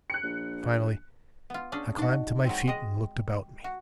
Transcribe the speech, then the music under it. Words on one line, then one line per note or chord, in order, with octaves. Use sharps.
Finally, I climbed to my feet and looked about me.
F#6 C#7
A#1
B3 F4
C#4 D4 G#4
D4 D#4 F#4 D#5
F#3 G#3 C4
G#3 D#5 G5
F#4